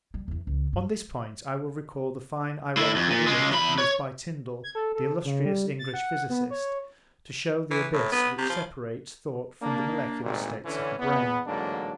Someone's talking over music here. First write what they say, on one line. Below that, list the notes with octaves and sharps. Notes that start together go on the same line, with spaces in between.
On this point I will recall the fine ironical image used by Tyndall, the illustrious English physicist, to show the abyss which separates thought from the molecular states of the brain.
G3
E2 E3
C#2
G2
A2 E4
F2
A#2
C#3 G#3
E2 B5
C#5
G#6
A4
A4
C#3
G3
A6
F#5
B3
C#5
E3
A2
B3
C3
F3
A#3 D4
G#1 D2 A#2
D3 E3 C#4
E2 B3
A1 G#2 D3 F#3 A#3 D4